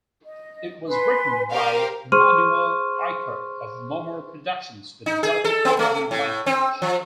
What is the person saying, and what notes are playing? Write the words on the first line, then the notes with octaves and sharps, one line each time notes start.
It was written by Emmanuel Icart of Momor Productions with the Delphi programming language.
D#5
B4 G#5 C6
G4 A#4 C5 F5
G#4 C5 C6 C#6 F6 D#7
D#4
G#4
A4
B3
A3
A2
C4
F3